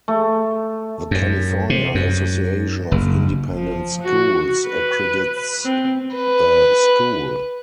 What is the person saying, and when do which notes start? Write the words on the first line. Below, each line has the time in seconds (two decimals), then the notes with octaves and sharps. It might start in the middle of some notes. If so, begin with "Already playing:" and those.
The California Association of Independent Schools accredits the school.
0.08 A3
1.11 F#2
1.70 C3
1.95 F#2
2.92 F#1
3.55 F3
4.02 F#4
4.67 B4
5.65 C4
6.15 B4